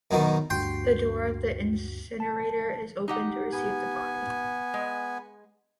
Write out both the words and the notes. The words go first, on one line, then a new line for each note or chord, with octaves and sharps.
The door of the incinerator is opened to receive the body.
F#2 B2 D#3
D2 G2 F#4 G5 C6
A5
D#4 G4 F#5
B3 G#5
G#3